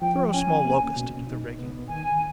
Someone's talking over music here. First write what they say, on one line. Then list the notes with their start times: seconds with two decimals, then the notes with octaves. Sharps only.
Throw a small Locust into the rigging.
0.02 F3 G5
0.33 C#4 G#5
0.65 A#3
0.96 B2
1.27 D#4
1.59 B3
1.89 D#3 G#5